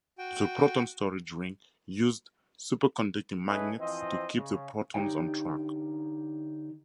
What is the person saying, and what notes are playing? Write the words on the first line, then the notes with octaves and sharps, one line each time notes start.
The proton storage ring used superconducting magnets to keep the protons on track.
F#4 G5
C#4 E4 G#4 A4 B4 D#5
E3 F3 C4 C5 D#5
C#3
D3 D#4 G4 C#5 G5